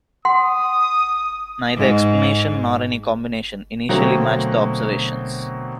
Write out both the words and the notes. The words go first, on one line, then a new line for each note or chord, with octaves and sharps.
Neither explanation, nor any combination, initially matched the observations.
F#5 C6 D#6
G#2
B2 D3 F#3 A3 A#3 C4